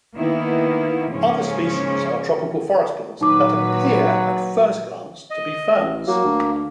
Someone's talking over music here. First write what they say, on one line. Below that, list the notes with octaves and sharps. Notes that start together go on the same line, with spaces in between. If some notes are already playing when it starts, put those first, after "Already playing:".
Other species are tropical forest plants that appear at first glance to be ferns.
D#3 A#3 B3 E4
G#2 C#3 F3 A#3 C#4
A#2 D#3 F#3 D#4 B4 D6
D#5
A1
F#3 A#3
D2